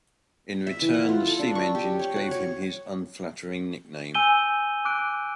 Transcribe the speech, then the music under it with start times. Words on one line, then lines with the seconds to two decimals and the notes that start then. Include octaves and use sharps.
In return, the steam engines gave him his unflattering nickname.
0.67 E5
0.82 E3
0.94 F#5
1.09 F4
1.27 A4
1.39 D4
1.55 C#6
1.75 G4
1.99 C#5
2.16 F#4
2.31 C#5
4.15 G#5 E6 G6 D#7 G7
4.85 D6 F#6 D7